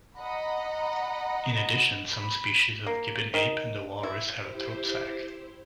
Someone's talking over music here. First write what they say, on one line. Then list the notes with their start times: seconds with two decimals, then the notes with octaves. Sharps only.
In addition some species of gibbon ape and the walrus have a throat sac.
0.18 D#5 F#5 A#5 B5
2.13 B5
2.86 A#3
3.34 D#3
4.03 E4
4.41 E4 G4 C5